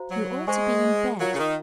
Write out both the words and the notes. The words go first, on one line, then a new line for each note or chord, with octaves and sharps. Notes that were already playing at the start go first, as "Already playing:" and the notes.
"You ought to be in bed."
Already playing: F#4 C5 F5 A#5
F#3
G#3 G#4 C5 D#5 G#5 C#6
F#3 F4 A#4 F5 A#5
C#3
D#3